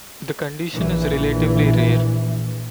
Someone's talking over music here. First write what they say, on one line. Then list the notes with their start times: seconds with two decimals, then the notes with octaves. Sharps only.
The condition is relatively rare.
0.74 A#1 E3